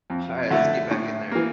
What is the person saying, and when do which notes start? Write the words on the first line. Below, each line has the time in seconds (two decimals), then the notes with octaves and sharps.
Alright, let's get back in there.
0.10 F2
0.50 D3 A3 E4
0.91 A2
1.32 E3 A#3